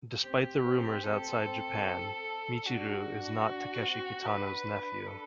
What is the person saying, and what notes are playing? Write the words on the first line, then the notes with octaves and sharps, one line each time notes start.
Despite the rumours outside Japan, Michiru is not Takeshi Kitano's nephew.
C4 G4
C4
C4 A4
C4
D4 F#4
D4
C4
D4 B4
A4